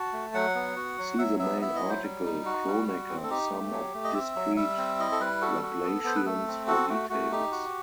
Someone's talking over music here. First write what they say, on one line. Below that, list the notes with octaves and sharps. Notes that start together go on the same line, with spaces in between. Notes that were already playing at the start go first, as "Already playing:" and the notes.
See the main article Kronecker sum of discrete Laplacians for details.
Already playing: F#4 A5
A3
F#3 F#5
B3
F#4
F#3
F#3 E5
B3 E5
E4 E5
D#5
F#3
C5
G3
D#4
F#4
G3
F#4
C4
A4
D#4 G4
A3
F#3
A3
D#5
C4 E5
F#3
G3 E5
C4
E4 D#5
A4
G3 B4
F#4 A4
F#4
B3
B3 C5
B4
A3 A4
C4
F#4 A4
A3 F#4
A3 F#4
D#4 G4
F#4